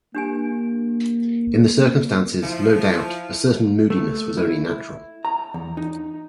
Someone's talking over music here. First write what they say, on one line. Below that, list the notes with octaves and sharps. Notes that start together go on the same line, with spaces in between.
In the circumstances, no doubt, a certain moodiness was only natural.
A#3 D4 G4 G#5
F3 E4
A3
E4
A#5
E2
D#4